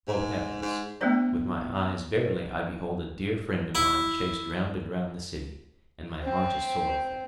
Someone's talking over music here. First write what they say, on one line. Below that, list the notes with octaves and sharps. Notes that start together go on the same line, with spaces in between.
'O heavens! with my eyes verily I behold a dear friend of mine chased round and round the city, and my heart is sorrowful.'
G#2
G#2
A3 B3 C4 D4 C5 D5
E4
C4